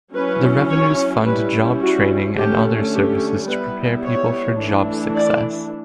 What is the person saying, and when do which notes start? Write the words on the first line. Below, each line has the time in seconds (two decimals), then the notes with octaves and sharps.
The revenues fund job training and other services to prepare people for job success.
0.13 F#3 C#4 E4 B4
0.69 C#5
1.25 G3 C#4 E4 B4
1.82 F#4
2.36 D3 A3 C#4 G4
2.93 G4
3.48 G3 B3 E4 B4
4.04 C#5
4.60 E3 A3 D4
5.15 D5